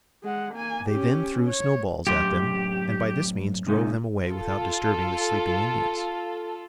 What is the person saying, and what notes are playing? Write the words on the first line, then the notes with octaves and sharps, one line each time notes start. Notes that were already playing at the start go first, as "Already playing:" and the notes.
They then threw snow-balls at them and by this means drove them away without disturbing the sleeping Indians.
G#3 F#5
A#3 G#5
C#4 G4
C#5
F#2 A2 G4 C6
C3 G#3 D#4
F4 A4